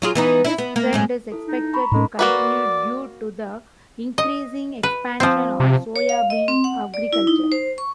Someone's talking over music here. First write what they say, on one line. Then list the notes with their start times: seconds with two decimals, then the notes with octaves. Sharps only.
This trend is expected to continue due to the increasing expansion of soybean agriculture.
0.02 F#3 F4 G#4
0.15 E3 B3 D#4
0.44 E4
0.58 B3
0.76 A#3
0.93 F#2 A2 G#3
1.32 E4 A4
1.48 D#4
1.73 A#5 B5 C#6
1.92 A2 G#3 C#4 D#4 A4
2.19 A#3 F#4 B4 D5
4.18 D#5
4.83 B4
5.20 F3 C4
5.60 C3
5.96 C#5
6.09 F5
6.30 D#5
6.48 C4
6.64 F#5
6.94 D5
7.13 E4
7.27 D#4
7.52 C5
7.78 C#6